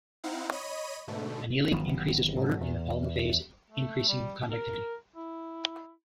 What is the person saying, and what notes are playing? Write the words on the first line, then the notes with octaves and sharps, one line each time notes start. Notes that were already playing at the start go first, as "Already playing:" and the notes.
Annealing increases order in the polymer phase, increasing conductivity.
C4 D#4 E4 F5 F#5
C#5 D#5 B5 D#7
G#2 B2 D3 A3
G1 D#3 F#3 B3
G#2 B2 F#3
E2
A3
G3
A#4
E4